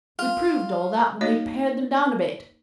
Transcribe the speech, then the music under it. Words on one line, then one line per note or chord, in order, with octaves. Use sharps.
We proved all that when we pared them down a bit.
F4
A#3 D#4 F#4 C#5 D#5